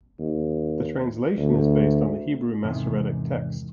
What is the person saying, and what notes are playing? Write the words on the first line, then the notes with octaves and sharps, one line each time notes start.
The translation is based on the Hebrew Masoretic text.
D#2
D2
E2 G#2 C3 D#3 E3